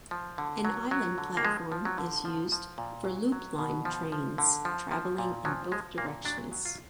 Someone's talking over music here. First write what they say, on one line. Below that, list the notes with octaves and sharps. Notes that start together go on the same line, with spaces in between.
An island platform is used for Loop Line trains travelling in both directions.
F3
D3
F#3
F#3
D3
A#3
F3 G#3
F3
F#3
D3
F3
F3
A#2
F#3
F#3
B2
F3
F3
D3
F3
F3
A#2
F3 F#3
F3 G#3
A#2 A#3
F#3 D4
F#3
F4